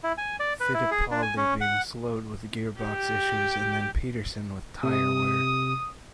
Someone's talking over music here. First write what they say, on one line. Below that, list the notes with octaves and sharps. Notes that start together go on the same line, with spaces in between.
Fittipaldi being slowed with gearbox issues, and then Peterson with tyre wear.
E4
G#5
D5
B4
E4
G#4
D4
G#5
C#4
F#5
G4
C3 D#6